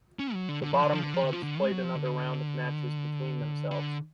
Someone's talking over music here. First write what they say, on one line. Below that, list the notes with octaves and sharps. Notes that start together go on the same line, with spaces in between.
The bottom clubs played another round of matches between themselves.
C#4
F#3
D3
D3
F3
D3
F3
D3
F3
D3
F3
D3
G#3
F#3
F3
D3
D3